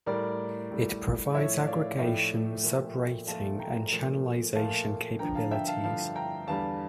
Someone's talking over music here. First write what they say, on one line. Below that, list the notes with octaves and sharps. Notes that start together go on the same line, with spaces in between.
It provides aggregation, sub-rating and channelization capabilities.
A2 G3 A#4 D5
A2 G3
A2 F3 A3 C#5 E5
D5 F5
A2 F3 A3 E5 G5
A#2 F3 A3
A#2 F3 A3 F5 A5
G5 A#5
A#2 F3 A3
A#2 F3 A3 F5 A5
G2 D3 F3 G5 A#5
F5 A5
E5 G5
F5 A5
G2 D3 F3 F5 A5
G5 A#5
E2 D3 G3 F5 A5